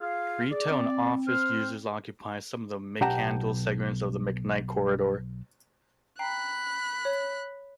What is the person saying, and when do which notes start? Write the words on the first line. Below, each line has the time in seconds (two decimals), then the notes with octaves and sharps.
Retail and office uses occupy some of the McCandless segment of the McKnight corridor.
0.01 F4 G#4 F5
0.51 G#4 D5
0.70 C4
1.27 C5 F6
3.01 B1 G4 F#5 G5 A5 A#5
6.19 G5 A#5 B5 F#6 C7
7.05 C#5